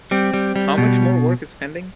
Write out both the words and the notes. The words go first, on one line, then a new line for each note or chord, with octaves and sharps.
How much more work is pending?
G3 C4
G3
G3
B2